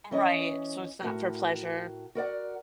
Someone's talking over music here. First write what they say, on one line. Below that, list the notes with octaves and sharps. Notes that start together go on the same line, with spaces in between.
Right, so it's not for pleasure.
E3 C#4 D#5
A2 F#4 A#4
F#4 A#4 D5 F#5